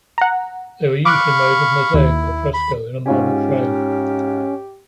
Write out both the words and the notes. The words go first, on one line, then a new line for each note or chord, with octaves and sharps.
They were usually made of mosaic or fresco in a marble frame.
F#5 A#5
F5 B5 C#6 D6 F#6
D#2 E4
B5
G#2 C#4 F4 G4 G#5